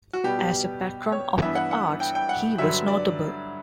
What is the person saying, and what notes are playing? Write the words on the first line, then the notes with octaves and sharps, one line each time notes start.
As a patron of the arts, he was notable.
F#4
B2 G3 B3 G4
G4
C#5
G2 E3 B3 E5
F#5
F#5
G5
G5
F#5
G2 D3 F#3 E5
D5